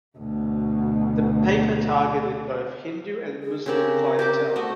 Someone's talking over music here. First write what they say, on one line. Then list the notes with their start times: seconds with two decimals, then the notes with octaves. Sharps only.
The paper targeted both Hindu and Muslim clientele.
0.18 D2 B2
3.42 G#4
3.66 C#3 C4 G4 A#4
4.19 G4 C5 D6
4.56 A3 F#4 D#5